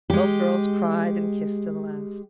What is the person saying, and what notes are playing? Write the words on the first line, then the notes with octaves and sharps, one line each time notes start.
Both girls cried and kissed and laughed.
G#3 G4